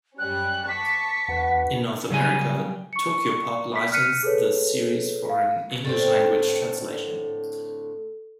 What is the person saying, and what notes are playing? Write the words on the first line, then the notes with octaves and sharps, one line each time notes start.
In North America, Tokyopop licensed the series for an English-language translation.
F#2 G3 C#4 F#6
A5 C#6 D6 B6
E2 D3 F#4 B4 F#5
C#3 F#3 G3 G#5
C#6 C#7
B6
F6 F#6 B6 C#7 D#7
G#4 A4 B4 C#5
F5
A2 D3 C4 A4